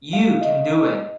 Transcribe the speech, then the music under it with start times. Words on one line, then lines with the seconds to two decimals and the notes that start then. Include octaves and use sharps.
You can do it.
0.13 F5
0.41 D#5